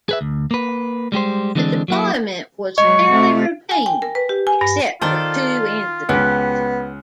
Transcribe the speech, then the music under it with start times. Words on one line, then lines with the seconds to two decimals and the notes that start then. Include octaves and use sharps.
The deployment was fairly routine except for two incidents.
0.09 G#4 B4 E5
0.21 D2
0.51 A#3 B4
1.12 G3 G#3 G4 C5
1.55 D3 E3 G#3 C4 D4
1.88 F#3 A#3 E4
2.78 F#3 G#3 D#5 C#6
3.09 C3 A3
3.71 G#5
3.86 G5
4.02 A#4
4.15 B4
4.29 G4
4.47 G#5
4.61 G2
5.02 D#3 F4 A4 C5 D5
6.09 C#2 B3 F#4 G4